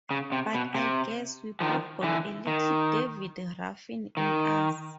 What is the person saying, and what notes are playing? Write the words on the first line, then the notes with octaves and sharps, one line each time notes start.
But I guess we both got a little David Ruffin in us.
C#3
C3
B2
C3
D#3 F3
D3 E3
D#3
D#3